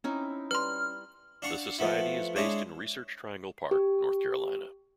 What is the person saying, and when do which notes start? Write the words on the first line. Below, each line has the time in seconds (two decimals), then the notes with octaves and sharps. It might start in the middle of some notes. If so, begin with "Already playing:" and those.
The Society is based in Research Triangle Park, North Carolina.
0.04 C4 C#4 D#4 E4
0.51 G3 B4 C6 F6
1.42 D4 F5 F#5 C#6
1.79 F3 A3 B3 E4
2.36 G#3 D4 E4 C#5 F5
3.71 G4